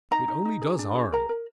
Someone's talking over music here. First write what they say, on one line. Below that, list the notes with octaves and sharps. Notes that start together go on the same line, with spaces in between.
It only does harm.
D#4 A#5
D#4
D#4
G#4
D4
G#4
A#4 A#5
A#4